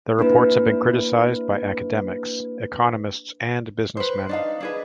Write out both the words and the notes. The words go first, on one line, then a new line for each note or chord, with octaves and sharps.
The report has been criticized by academics, economists and businessmen.
A#3 D4 E4 B4
B4 C5
D4 D#4 F5
D4 G#4 B4